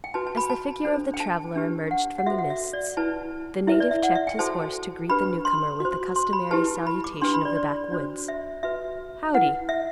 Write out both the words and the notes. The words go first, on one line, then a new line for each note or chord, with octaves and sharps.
As the figure of the traveler emerged from the mists, the native checked his horse to greet the newcomer with the customary salutation of the backwoods, "Howdy."
G5
F#4 B4 A5
A5
B5
A5
D4 A4 C5
G5
A5
D4 G4 B4
F#5
F#5
F#4 A4 C5 E5
F#5
E5
D5
E4 B4 A5
E4 B4 E5
D5
E5
F#5
E5
G5
F#4 A4 C5 A5
D4 G4 B4 B5
C6
F#4 C5
C6
B5
E4 G4 B4 A5
B5
D6
D4 G4 B4 C6
B5
D5
D5
D4 F#4 C5
E5
F#4 B4 E5
E4 B4 F#5
E5